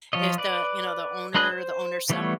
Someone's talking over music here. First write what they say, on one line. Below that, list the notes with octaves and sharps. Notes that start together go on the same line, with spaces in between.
If the, you know, the owner the owner's son
F3 F4 C#5 D#5
B4 D5
G#3 D4 B4 D#5 F#6
C5
E3 G3 A3 B3 C#5